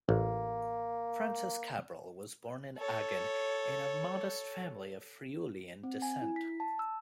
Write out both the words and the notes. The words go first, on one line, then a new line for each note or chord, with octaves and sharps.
Francis Cabrel was born in Agen into a modest family of Friulian descent.
A1 A#3
A4 C#5
C4
G#5
E4
B6
A5
E6